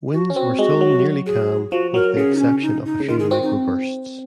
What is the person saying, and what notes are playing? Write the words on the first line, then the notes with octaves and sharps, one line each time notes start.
Winds were still nearly calm, with the exception of a few microbursts.
F#4
C#4
C4 F#4
G#3 F#4
F#3
G#4
F3 F#4
F#3 A#4
C#3 G#4
D#4
C#4
D#4
D#4
C#3
D#3 F4
G#4
C4 F#4
D#4